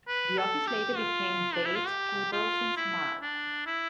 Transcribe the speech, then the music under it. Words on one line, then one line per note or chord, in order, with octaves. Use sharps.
The office later became Bates, Peebles and Smart.
B4
A4
G4
F4
D4
E4
F4
G4
F4
E4
D4
E4